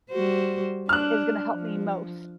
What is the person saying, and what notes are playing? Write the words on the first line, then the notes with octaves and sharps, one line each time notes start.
is gonna help me most
G3 F#4 C5
D4 F6 F#6
F3